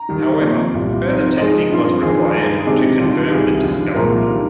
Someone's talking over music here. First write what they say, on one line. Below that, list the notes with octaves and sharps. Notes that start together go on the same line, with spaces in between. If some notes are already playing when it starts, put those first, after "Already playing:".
However, further testing was required to confirm the discovery.
Already playing: A#5
D#2 D#3 G3
C3 F3 A#3 D5
C2 A#2 G3
G#2 F3 C4 D#4
G#2 F3 G#3 D#5
G2 F3 C4 F4
D#2 D3 F3 G#4
G2 D3 G#3 D#4
G#4
C3 D#3 G#3 D4 G4
D#2 D3 G3 D4 F4
C2 C3 D#3 G3 G#4
D#2 D3 F3
C2 A#2 F3 G#3 A#4
D#3 G3 D4